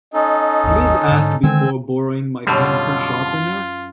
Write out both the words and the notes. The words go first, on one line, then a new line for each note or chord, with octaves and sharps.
Please ask before borrowing my pencil sharpener.
C#4 D#4 A4 D#5
G#1 D#2
G#2 D3
D3 D#3 G#3 C4 G#5 E6
F#2 B2 D3 G3 C#4 F4 F5